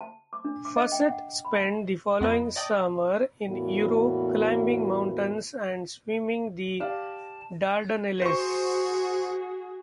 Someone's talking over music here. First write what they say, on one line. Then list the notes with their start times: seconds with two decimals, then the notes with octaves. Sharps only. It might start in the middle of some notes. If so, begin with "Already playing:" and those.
Fossett spent the following summer in Europe climbing mountains and swimming the Dardanelles.
0.01 A5
0.33 D6
0.45 D4
0.65 D6
0.76 D#5
0.92 G5
1.10 F#5
1.45 B5
1.57 A5
2.20 F2 B3 D#5
2.56 D5 D#5 G5 A5 D#6
3.47 E2 A2 A#3 B3 F#4
6.80 G4 D5 F5 A5
8.22 F#4 G#4 C5 C#6